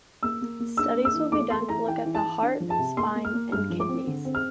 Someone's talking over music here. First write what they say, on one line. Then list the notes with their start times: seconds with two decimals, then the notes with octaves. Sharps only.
Studies will be done to look at the heart, spine and kidneys.
0.23 A#3 E6
0.41 A#3
0.60 A#3
0.77 D4 E6
0.95 A#3
1.05 E6
1.14 E3
1.32 A3 D6
1.50 A3 C6
1.69 E3 A#5
1.87 E3 G5
2.05 E3
2.15 A5
2.24 E3
2.42 D4
2.60 F3
2.70 A5
2.79 C3
2.97 A#3 C6
3.15 A#3
3.25 F6
3.34 A#3
3.52 G2 F6
3.70 F3
3.80 D6
3.89 C4
4.07 D3
4.25 C4
4.35 F6